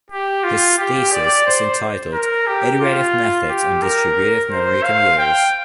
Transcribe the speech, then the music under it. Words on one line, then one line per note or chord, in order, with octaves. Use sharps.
His thesis is entitled "Iterative Methods on Distributive Memory Computers".
G4
F4
G4
D5
C5
A#4
G4
F4
G4
A#4
C5
F5
G5